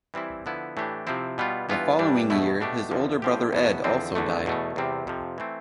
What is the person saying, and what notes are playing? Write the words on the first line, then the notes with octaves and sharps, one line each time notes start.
The following year his older brother Ed also died.
E3 G3 C4 E4
D3 F3 B3 E4
A2 E3 A3 D4 G4
C3 F3 C4 E4
B2 G3 B3 F4
G2 E3 B3 F4
G2 E3 G3 D4
E2 B2 A3 E4
B2 A3 D4 G4
E2 D3 F3
A2 F3 C4 G4
E2 B2 B3
E2 D3 F3 C4
E2 D3 A3
E2 B2 A3
E2 C3 G3 C4
F2 C3 F3
E3 A3 C4